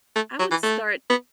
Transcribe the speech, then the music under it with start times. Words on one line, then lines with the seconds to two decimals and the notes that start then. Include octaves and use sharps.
I would start
0.16 A3
0.39 F#3
0.51 E3
0.63 A3
1.10 B3